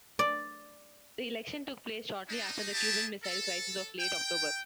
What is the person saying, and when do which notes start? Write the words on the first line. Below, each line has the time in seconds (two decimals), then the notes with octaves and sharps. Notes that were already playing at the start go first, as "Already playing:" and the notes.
The election took place shortly after the Cuban Missile Crisis of late October.
0.19 D5
2.27 D4 D#4
2.72 E4 G4 G#4 A5
3.23 A4
3.98 G5